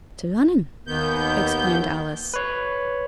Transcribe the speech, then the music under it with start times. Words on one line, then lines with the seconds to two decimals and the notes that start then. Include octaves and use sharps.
'To Lunnon!' exclaimed Alice.
0.87 D#2 D#3 B3 G6
2.34 B4 C#5